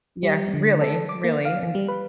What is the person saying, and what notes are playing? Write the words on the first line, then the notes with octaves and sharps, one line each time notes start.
Yeah, really really, and
G3
D3
A4
D6
A#3
F5
G3
B4